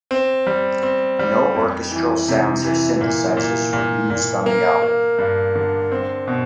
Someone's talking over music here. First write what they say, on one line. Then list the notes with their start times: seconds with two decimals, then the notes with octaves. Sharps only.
No orchestral sounds or synthesizers were used on the album.
0.11 C4
0.47 G3
0.83 C4
1.19 G3
1.55 F2
1.91 E3
2.28 C3
2.65 E3
3.01 A#2
3.37 A#2
3.73 A#2
4.10 A#2
4.46 A#3
4.82 A#3
5.18 G2
5.55 D3
5.92 C4
6.28 B2